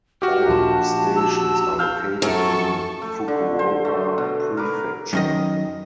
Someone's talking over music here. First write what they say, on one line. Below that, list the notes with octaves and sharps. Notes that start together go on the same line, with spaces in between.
All stations are located in Fukuoka Prefecture.
F#4 G4 F6
A#1 A5
E6
F5 F6 G6
F#2 A4 C#6
A3
D3
C5
A3
B2
A#4 B4 D6
F#2 D#3 D#5